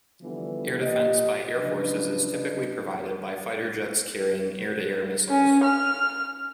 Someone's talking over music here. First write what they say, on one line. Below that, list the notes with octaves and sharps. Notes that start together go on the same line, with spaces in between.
Air defence by air forces is typically provided by fighter jets carrying air-to-air missiles.
D3 E3 F3 G3 B3
A#2 G4 D#5
C#3 F3 F#3 D4 B4 D#5
C#4
F6